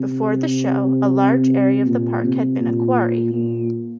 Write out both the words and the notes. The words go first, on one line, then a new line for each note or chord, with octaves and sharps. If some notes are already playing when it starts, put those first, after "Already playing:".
Before the show, a large area of the park had been a quarry.
Already playing: C3
A#2
C3
A#2
A#2